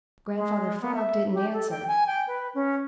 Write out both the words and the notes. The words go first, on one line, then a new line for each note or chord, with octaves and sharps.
Grandfather Frog didn't answer.
G#3
B3
E5
G4
A4
G5
G#5
G5
B4
C#4